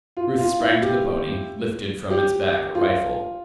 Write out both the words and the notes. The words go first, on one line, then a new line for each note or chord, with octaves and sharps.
Ruth sprang to the pony, lifted from its back a rifle.
F4
F4
E4
G4
G4
F4